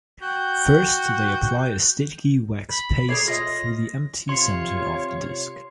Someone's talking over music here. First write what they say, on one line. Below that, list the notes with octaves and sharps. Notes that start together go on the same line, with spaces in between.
First they apply a sticky wax paste through the empty centre of the disc.
F#4 G5
B5
G#4 C#5 D5 C7
F4 D#5 A#6
C3 F4 C#5 C6 C7